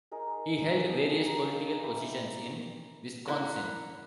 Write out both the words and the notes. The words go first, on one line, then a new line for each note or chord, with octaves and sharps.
He held various political positions in Wisconsin.
D#4 G#4 A#4
D4 D#5
A#3 G4 G#4 A#5
D#4 E4 G4 D6
A#3 E4 A#4 F#5